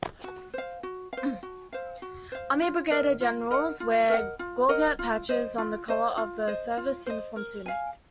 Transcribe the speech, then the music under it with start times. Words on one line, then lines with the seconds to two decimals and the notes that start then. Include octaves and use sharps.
Army brigadier-generals wear gorget patches on the collar of the service uniform tunic.
0.24 F#4
0.54 C5 F5
0.83 F#4
1.13 C5 F5
1.43 F#4
1.73 C5 F5
2.02 F#4
2.32 C5 F5
2.62 F4
2.91 A#4 D#5 F#5
3.20 F4
3.51 A#4 D#5 F#5
3.80 F4
4.10 A#4 D#5 F#5
4.39 F4
4.69 A#4 D#5 F#5
4.99 F4
5.29 C5 D#5
5.58 F4
5.88 C5 D#5
6.18 F4
6.47 C5 D#5
6.77 F4
7.06 C5 D#5
7.36 A#4
7.66 F5 G#5